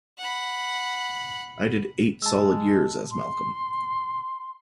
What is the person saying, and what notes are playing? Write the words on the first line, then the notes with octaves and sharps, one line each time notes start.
I did eight solid years as Malcolm.
F#5 B5
G#3 A5 E6
C6